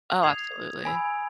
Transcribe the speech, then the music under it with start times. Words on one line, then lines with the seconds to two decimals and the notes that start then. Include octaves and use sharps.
Oh, absolutely.
0.23 D#6 G#6 C7 F7
0.85 G#5 B5 E6 G#6